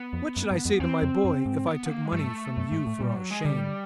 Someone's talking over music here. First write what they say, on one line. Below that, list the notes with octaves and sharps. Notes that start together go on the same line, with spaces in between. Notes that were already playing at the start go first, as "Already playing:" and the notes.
"What should I say to my boy if I took money from you for our shame?"
Already playing: B3
F2
F#2
G2
F2
E2 C4
F2
F#2
G#2
B3
B3
A#3
G#3
G2 A3
F#2
G#2
A2
A#2 G3
F#3
G#3
D3 G3